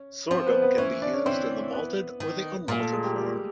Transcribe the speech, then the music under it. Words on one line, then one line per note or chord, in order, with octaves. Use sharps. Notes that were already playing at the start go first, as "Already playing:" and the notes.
Sorghum can be used in the malted or the un-malted form.
Already playing: C#4
F3 C4 C5
B3 B4
B3 B4
E3 C#4 C#5
D4 D5
C#4 C#5
E3 C4 C5
B3 B4
D#3
A#2 A#3 A#4
A3 A4
G#3 G#4
G3 G4
G3 G4